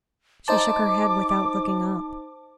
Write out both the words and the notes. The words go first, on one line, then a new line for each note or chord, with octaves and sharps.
She shook her head without looking up.
D#4 C5 A5 D6